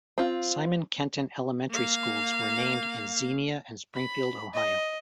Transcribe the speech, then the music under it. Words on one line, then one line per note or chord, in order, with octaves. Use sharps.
Simon Kenton Elementary Schools were named in Xenia and Springfield, Ohio.
C4 F4
A#3 F5
B5
D#5